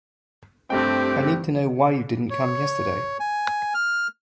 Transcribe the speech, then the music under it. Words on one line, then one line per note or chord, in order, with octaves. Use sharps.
I need to know why you didn’t come yesterday.
G2 A3 C4 G4 G5
C#5
G#5
F6